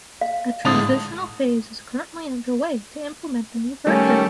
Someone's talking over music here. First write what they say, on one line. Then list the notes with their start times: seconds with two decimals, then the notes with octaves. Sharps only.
A transitional phase is currently underway to implement the new version.
0.21 F5
0.65 A2 D3 G#3 A5 D#6 A6 F7
3.87 D#3 G3 A3 C#4